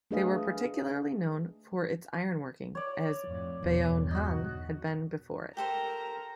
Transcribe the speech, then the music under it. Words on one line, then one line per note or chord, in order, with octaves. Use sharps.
They were particularly known for its iron-working, as Byeonhan had been before it.
A3 D4 G#4 B4 D#5 F5
C#5 D5
F2 A2
B1 E2 G2 D3
D#4 F#4
G4 A4 A#4 C5 A#5